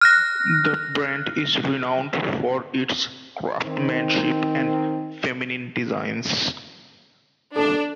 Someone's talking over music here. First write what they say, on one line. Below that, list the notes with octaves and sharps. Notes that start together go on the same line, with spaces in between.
The brand is renowned for its craftsmanship and feminine designs.
F6 F#6 A#6
D#3 C4
D4 A4